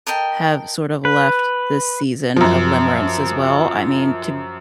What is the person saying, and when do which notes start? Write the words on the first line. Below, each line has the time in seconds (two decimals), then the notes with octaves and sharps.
have sort of left this season of limerence as well, I mean, to
0.07 A4 A#4 D#5 G5
1.05 B4
2.36 F#2 F3